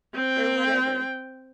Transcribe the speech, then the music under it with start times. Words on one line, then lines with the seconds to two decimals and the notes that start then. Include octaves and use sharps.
or whatever."
0.14 C4 G5